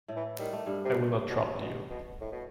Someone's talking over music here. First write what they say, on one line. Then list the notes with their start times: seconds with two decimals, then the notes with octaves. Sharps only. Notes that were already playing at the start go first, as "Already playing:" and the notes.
I will not trouble you.
0.08 A2 A3
0.16 E3
0.39 D#3 G3
0.53 A3
0.66 G2 G3
0.85 C3
1.30 B2
1.61 B2
1.90 B2
2.21 A2
2.32 B2